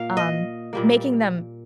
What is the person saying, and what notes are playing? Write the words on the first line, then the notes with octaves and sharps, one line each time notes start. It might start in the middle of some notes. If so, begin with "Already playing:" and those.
um, making them
Already playing: A#2 A#3 F5
D#5
A#2 G3 A#3